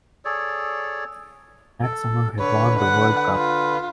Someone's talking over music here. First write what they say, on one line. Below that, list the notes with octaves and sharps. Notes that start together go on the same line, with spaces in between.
That Summer he won the World Cup.
G#4 A4 C#5 D5
A4
D3 B4 C#5
F#5
F4